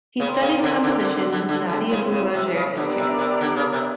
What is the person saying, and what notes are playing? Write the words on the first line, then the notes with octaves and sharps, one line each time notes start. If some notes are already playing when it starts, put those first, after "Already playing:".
He studied composition with Nadia Boulanger in Paris.
C#3 C4 F4 A#4 D5
C#3
D3
D3
D3
D3
D3
D3 G#3 C4 E4
D3
C#3
C#3
C3
C#3
D3 B3 D4 G4 A#4 D5
C3
C3
D3
C#3
C3